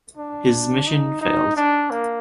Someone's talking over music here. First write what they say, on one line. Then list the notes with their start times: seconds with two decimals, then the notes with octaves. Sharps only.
His mission failed.
0.17 D4
0.87 D#4
1.21 D#4
1.56 D4
1.90 A#3